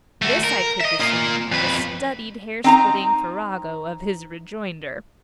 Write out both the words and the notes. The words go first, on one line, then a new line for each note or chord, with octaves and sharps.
This I could discern by the studied hair-splitting farrago of his rejoinder.
A3 F#4
A#4
D#5 E5
A#3 F4
F2 B4
C4 D#4 A#5